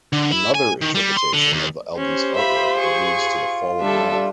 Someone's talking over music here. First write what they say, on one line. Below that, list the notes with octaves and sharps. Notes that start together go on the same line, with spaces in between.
Another interpretation of the album's artwork alludes to the fall of Rome.
D3
E4
G#5
D#3
G3
C6
D3
D#2
C#4 G4 C5
F4 E5 B5
G#4 C#6
G3 D4 A4 E5